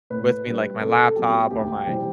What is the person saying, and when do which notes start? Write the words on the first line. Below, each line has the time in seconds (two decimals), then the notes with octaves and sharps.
with me, like my laptop or my
0.10 A2 B4
0.46 G3 D4
0.80 C3 A4
1.16 F#3 B3 G4
1.51 D2 G4
1.86 C3 E3 G3 C4